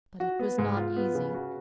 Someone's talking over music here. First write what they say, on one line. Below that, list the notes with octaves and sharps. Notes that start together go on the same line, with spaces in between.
But it was not easy.
F#4
B3
G#2
F4
B3
C#3
F#4